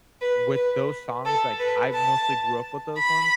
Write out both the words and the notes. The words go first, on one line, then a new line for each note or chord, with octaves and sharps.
with those songs, like, I mostly grew up with those ones
B4
B4
A4
B4
A5
B5